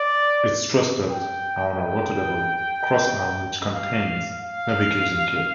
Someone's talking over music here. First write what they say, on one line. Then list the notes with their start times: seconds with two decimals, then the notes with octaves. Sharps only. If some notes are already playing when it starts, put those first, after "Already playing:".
Its thrusters are on a rotatable cross-arm which contains navigation kit.
Already playing: D5
1.11 G5
1.76 G5
3.74 F5
4.40 F5